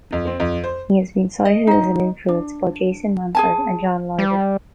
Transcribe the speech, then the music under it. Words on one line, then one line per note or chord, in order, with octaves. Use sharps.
He has been cited as an influence by Jason Manford and John Lydon.
F2
C4
F2
C5
D#5
D#4 D#5
D4
G#4 G#5 A5
G3